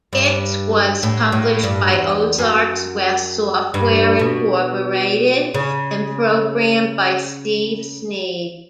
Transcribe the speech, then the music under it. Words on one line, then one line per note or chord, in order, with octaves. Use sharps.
It was published by Ozarks West Software Incorporated and programmed by Steve Sneed.
G2
A2
A2
G2
E2
F#2
G2
B2
C#3